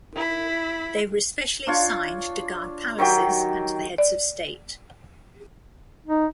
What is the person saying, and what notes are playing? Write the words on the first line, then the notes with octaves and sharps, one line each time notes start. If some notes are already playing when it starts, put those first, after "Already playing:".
They were especially assigned to guard palaces and the heads of state.
E4 B5
D4 F4 C#5
D#3 F#3 G4 G5
D5
D#4